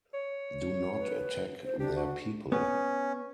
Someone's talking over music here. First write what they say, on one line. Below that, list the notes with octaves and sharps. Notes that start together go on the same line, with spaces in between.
Do not attack their people.
C#5
B4
C5
D4 G4
F#4
B3 C#4